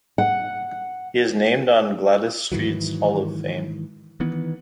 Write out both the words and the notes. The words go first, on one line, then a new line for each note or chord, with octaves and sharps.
He is named on the Gwladys Street's Hall of Fame.
F#5
G#2 D#3 E3 F#3
D#3 E3 B3